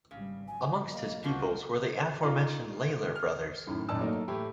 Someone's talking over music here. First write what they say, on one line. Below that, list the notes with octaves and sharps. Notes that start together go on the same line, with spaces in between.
Amongst his pupils were the aforementioned Lalor brothers.
G#1 G#2 C#3 G3
A2 F#3 G#5
A#3 D#5
C#2 F3 G3 A#3 C4 F#4
D#4 F4 D5 F5
F6
F#2 A2 D#3
G#1 F#2 A#2 D5 A5 E6
F#3 A3 A#3 D#4
A2 E3 A3 E4 G4